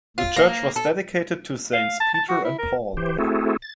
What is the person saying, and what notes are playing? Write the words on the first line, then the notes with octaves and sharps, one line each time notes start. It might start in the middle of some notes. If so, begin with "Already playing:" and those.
The church was dedicated to Saints Peter and Paul.
F4
A#3
A4
F5
A5
A5
F#4
E4
A#4
E3 G4 C5
A3 C4 E4 F#4 G#4 A4
A6